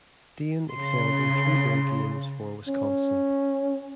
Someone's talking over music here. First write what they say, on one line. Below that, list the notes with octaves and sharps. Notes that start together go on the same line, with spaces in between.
Dayne excelled in three bowl games for Wisconsin.
C#3 C6
C#4